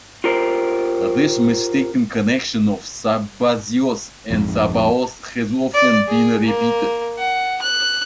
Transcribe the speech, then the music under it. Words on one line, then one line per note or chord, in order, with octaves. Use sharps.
This mistaken connection of Sabazios and Sabaos has often been repeated.
F4 G4 A#4 C5
A#1 F2 G#2
D5
G#4
A#3
F#5
F#6